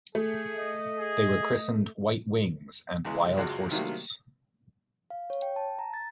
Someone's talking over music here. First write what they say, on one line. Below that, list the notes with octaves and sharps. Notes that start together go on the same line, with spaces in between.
They were christened "White Wings" and "Wild Horses".
A3 G#4
D#5
G#4
E2 C#3 E3 G#3
C#2 F#2 G#3 F4 F#4 F5
C3 D#3 F#3 G3 A3 A#3
F5
C#5
G5
A5
A#5
A6